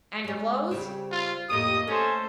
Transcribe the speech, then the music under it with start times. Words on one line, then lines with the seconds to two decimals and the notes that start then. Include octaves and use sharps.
"And your clothes?"
0.25 G#3 C#4
0.71 C#3 G3 C4
1.11 F4
1.49 F2 A2 A#3 G4 D#5 D#6
1.88 A3 C#4 A4 C5